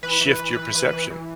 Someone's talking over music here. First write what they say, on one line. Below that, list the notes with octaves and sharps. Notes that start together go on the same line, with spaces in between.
shift your perception.
E3 B4
E3
E3
E3
E3
E3
E3